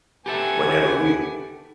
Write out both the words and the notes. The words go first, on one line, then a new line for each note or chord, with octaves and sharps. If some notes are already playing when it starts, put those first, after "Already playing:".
Whenever we
B3 G4 A4 E5 G#5